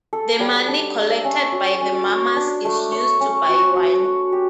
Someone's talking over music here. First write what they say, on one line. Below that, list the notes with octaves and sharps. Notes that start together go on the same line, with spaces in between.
The money collected by the mummers is used to buy wine.
A4
G3
D4
E5
C#4
F#4
C#4
C#5
D4
A3
C#5
C#4
F#4
F#4
F#4
G4